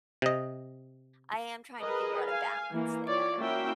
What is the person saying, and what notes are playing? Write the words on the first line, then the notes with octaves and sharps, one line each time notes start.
I am trying to figure out a balance there.
C3 D#5
G#4 A#4 B4 D#5
F5 G#5
E3 A#3
F4 C#5 D5
A#3 C#4 E4 F#4 E5 G5